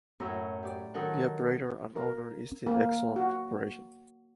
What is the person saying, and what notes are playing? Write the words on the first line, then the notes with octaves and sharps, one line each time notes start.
The Operator and Owner is the Exelon Corporation.
F#2 A2 F#3 E4 A#5
G4 D5
D#3 F#3 D#4 A4 A#4 F#5
A#4
A#3
F#4